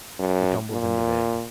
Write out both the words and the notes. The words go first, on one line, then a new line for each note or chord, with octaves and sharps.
We tumbled into bed.
F#2
A#2